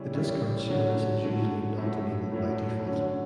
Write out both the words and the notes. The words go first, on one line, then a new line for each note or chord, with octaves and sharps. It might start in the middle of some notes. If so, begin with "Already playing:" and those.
The discard service is usually not enabled by default.
Already playing: C#3 G3 C#4 E4
C#3 G3 C#4 E4
D3 F#3 A3 C#4
D3 F#3 A3 C#4
A2 F#3 A3 E4
A2 F#3 A3 E4
D3 F#3 C#4